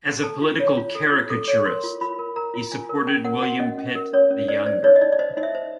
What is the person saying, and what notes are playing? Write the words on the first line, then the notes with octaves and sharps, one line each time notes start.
As a political caricaturist he supported William Pitt the Younger.
A4 A5
F4
C#5
F4
A4
F4
A4 D6
C#5
A#4 C6
F4
F4 B5
A#4
A#4 A#5
F4
F4 G#5
A#4
C#4 G5
A#4 F#5
F#4 F#5
C#4 D#5
C#4
A#4
C#4 C#5
C#4
C5 D5
C5 D5
D#4 C#5
D#5
D#4 D5
D5
C5 D#5
D#4 D#5
E5
C5